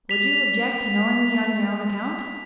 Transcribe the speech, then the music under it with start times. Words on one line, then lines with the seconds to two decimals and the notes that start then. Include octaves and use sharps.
"Would you object to knowing me on your own account?"
0.09 B6 F7